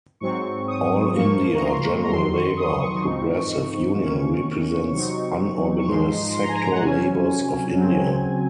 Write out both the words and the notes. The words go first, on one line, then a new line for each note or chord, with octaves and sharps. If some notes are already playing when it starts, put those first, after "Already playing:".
All India General Labour Progressive Union represents Un-Organised Sector Labours of India.
G#2 F#3 C4 C#6
D#6
G#2 F3 A#3 C#6
A#5
C6
A#5
F2 D#3 F#3 C6
C#6
D#6
C#6
G#2 F3 C4 D#4
C3 D#3 A#3 C#4
C3 F#3 C4 D#4 C#6
C#6
G#2 F3 G#3 D#4 C6
C6
A#5
G#5
A#5
F#5
C3 F#3 C#4 G#5
C#3 F#3 C4